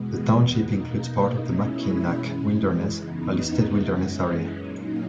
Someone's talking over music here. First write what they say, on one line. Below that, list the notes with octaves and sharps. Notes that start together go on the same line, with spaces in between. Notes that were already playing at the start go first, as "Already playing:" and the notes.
The township includes part of the Mackinac Wilderness, a listed Wilderness Area.
Already playing: E2 B2 G#3 B3
B2 A#3 D#4
B2 G#3 C#4 E4
F#2 E3 G#3
E2 C#3 E3 B3 D#4
F#2 E3 G#3 C#4
A#2 F#3 A#3 D#4